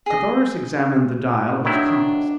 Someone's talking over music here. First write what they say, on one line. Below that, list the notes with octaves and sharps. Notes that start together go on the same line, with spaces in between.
Carthoris examined the dial of his compass.
G#4 D#5
D#3 F#3 D4 E4